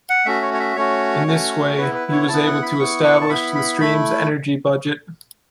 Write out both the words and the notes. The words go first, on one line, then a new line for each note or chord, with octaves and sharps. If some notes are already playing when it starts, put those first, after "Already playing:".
In this way he was able to establish the stream's energy budget.
F#5
A3 C#4 F#4 E5
C#5
C#5
E5
A3 C#4 F#4 C#5
A3 C#4 F#4
B3 E4 B4
B4
C#5
B3 E4 A5
F#5
B5
B3 E4 C#6
C#6
A5
B3 E4 B5
B5
A3 E4 B5